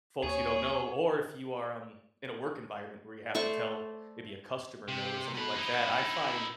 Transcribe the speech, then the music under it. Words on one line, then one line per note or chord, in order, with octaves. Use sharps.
folks you don't know, or if you are, um, in a work environment where you have to tell maybe a customer no, or something like that, I find
D#2 G#4 C#5
A3 C5 D5 C#6
C3
B2 B4
D#4 E4